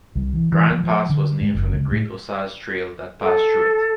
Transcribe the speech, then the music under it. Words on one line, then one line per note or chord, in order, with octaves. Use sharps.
Grand Pass was named from the Great Osage Trail that passed through it.
C2
E3
E3
F3
F3
D3
G#2
F#1
C#2
A2
A4